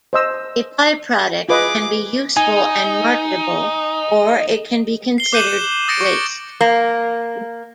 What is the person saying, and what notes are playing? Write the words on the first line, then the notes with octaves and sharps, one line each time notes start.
A by-product can be useful and marketable or it can be considered waste.
C5 D#5 E6
F4 G#4 B4 D#5 D6
D#4 G#5
C7 G7
D6 F#6 G6 D#7 E7 F#7
D#6 A6 A#6 C#7 D7
C#6 C#7
A#3